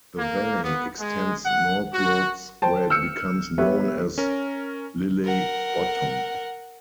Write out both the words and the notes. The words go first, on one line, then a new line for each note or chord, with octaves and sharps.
The valley extends northwards where it becomes known as Lilley Bottom.
A#3
B3
G#3
F#5
F#4
C5 G5 A5
E6 F6 G6 C#7
B3 G4 B4 C#5 E5
C#4 A#4
A#4 F#5